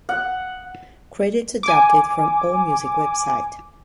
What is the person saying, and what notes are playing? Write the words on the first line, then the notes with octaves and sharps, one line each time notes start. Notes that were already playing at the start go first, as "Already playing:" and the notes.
Credits adapted from Allmusic website.
F#5
G#5 D6